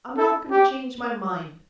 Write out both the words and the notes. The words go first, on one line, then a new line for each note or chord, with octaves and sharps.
I'm not going to change my mind.
A4
G4